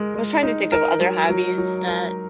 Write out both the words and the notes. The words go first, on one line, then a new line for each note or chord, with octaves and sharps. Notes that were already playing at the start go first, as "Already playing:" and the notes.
I was trying to think of other hobbies that
Already playing: G#3 A#4
G#3
D#4
A#4
F#3
F#3
F#3
A#4